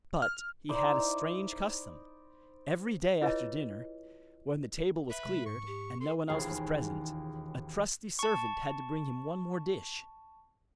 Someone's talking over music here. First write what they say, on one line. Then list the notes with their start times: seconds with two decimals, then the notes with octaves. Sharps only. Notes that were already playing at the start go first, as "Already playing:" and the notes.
But he had a strange custom; every day after dinner, when the table was cleared, and no one else was present, a trusty servant had to bring him one more dish.
0.22 F6
0.69 D#4 E4 C5 D5
3.22 E4 F4 G#4 B4 C#5 D#5
5.10 B4 E5
5.25 C3 G#3
5.46 G#2 C#6
5.67 G4
6.00 A4 C6
6.29 E1 D#2 C#4 F4 G#4 C7
8.19 A5 C#6